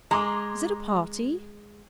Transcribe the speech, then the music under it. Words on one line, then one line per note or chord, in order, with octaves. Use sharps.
Is it a party?
G#3 A#5 C6 D6